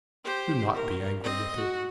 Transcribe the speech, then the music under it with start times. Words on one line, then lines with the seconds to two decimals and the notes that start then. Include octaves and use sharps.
'Do not be angry with her.
0.25 G4 C5
0.73 A#4
1.24 C4 D#5
1.56 F#4